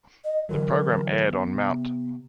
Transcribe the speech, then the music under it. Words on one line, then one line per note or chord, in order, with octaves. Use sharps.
The program aired on Mt.
D#5
D3 E3 F#3 A#4
B3
C3